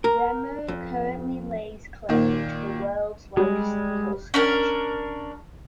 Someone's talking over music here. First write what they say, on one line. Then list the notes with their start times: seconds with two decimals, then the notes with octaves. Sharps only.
Remer currently lays claim to the World's Largest Eagle statue.
0.04 A#4
0.68 F2
2.09 A#2 D#3
3.37 G3 G#3
4.34 C#4 D4 A#4